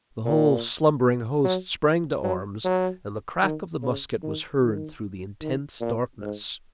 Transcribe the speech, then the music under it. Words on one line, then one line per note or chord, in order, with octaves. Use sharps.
The whole slumbering host sprang to arms, and the crack of the musket was heard through the intense darkness.
A#2
F#3
F#3
F#3
D#3
C#3
D#3
D#3
D#3
A#2
G#2